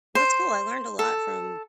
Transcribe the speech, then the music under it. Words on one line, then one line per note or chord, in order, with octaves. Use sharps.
That's cool, I learned a lot from
C5
A4